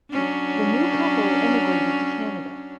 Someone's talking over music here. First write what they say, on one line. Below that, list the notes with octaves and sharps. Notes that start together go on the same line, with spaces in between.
The new couple emigrated to Canada.
F#3 C#4 D4